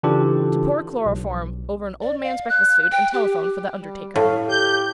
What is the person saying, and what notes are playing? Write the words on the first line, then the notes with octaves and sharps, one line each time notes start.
To pour chloroform over an old man's breakfast food and telephone for the undertaker.
C#3 E3 D4 F4 G4 A4
B1
D5
F5
F#6
G5
G4
G3
A2 F5
G4 G6